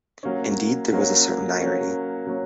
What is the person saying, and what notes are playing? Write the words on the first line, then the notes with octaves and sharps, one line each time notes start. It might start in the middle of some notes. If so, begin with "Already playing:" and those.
Indeed, there was a certain irony.
F#3 A#3 C#4
F#3 A#3 C#4
F#3 A#3 C#4
F#3 A#3 C#4